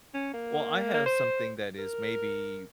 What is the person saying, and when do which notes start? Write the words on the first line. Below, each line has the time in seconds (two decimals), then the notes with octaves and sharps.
Well, I have something that is maybe,
0.14 C#4
0.34 A#3
0.94 A#3
1.06 C5
1.78 A#4